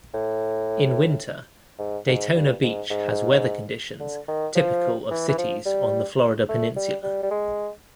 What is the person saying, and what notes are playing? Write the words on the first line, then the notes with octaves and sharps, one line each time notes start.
In winter, Daytona Beach has weather conditions typical of cities on the Florida peninsula.
A2
G#2
G#2
G2
G#2
G#2
D3
D#3
F3
E3
E3
F3
G3
A3
G3
G3
G3
G#3